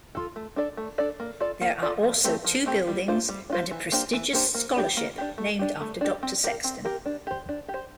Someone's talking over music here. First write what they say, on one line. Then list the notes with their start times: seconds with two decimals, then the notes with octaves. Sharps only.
There are also two buildings and a prestigious scholarship named after Doctor Sexton.
0.15 F4 A4
0.36 A3
0.56 D4 A4 D5
0.77 A3
0.98 D4 A4 D5
1.20 A#3
1.40 F4 A4 D5
1.61 A#3
1.82 F4 A4 D5
2.03 F3
2.24 A3 C4 G4
2.44 F3
2.66 A3 C4 G4
2.87 G3
3.08 D4 F4 C5
3.29 G3
3.50 D4
3.52 F4 C5
3.71 E3
3.92 A#3 D4 G4 C5
4.13 E3
4.33 A#3 D4 G4 C5
4.55 A#3
4.76 D4 G4
4.97 A#3
5.18 D4 G4
5.38 A3
5.59 D4 G4
5.81 A3
6.01 D4 G4
6.23 C4
6.44 G4 A#4
6.64 C4
6.85 G4 A#4
7.06 D4
7.27 G4 C5
7.49 D4
7.68 G4
7.74 C5